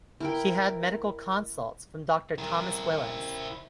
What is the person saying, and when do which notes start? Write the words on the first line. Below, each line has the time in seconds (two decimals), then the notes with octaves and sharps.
She had medical consults from Doctor Thomas Willis.
0.20 E4 A#4 G5
2.38 E4 A#4